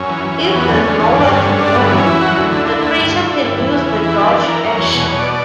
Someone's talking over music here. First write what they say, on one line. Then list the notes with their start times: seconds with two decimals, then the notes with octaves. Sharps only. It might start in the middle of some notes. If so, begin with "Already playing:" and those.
If there’s nowhere to move, the creature can use the Dodge action.
Already playing: F#2 C#4
0.09 E3
0.24 E3
0.40 F#2
0.54 E2 B3
0.70 D3 C#4
0.84 D3 C#4
0.99 E2 C#4
1.15 G2 D4
1.30 D3 C#4
1.45 D3 C#4
1.60 G2 D4
1.75 F#2 B3
1.91 E3 C#4
2.06 E3 E4
2.21 F#2 F#4
2.36 D2 E4
2.51 D3
2.66 D3 E4
2.82 D2
2.97 G2
3.11 D3
3.27 D3
3.42 G2
3.58 E2
3.72 C#3
3.87 E2
4.02 E3
4.17 F#2 D4
4.33 E3
4.47 E3 A#4
4.64 F#2
4.78 E2 C#5
4.94 B2 C#5
5.08 B2
5.18 D5